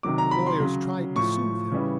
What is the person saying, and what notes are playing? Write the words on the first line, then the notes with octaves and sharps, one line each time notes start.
The lawyers tried to soothe him.
C3 D#3 F#3 D6
A#5
B5
C6
C#3 F#3
A2 F3 C#6
C#3 E3 G3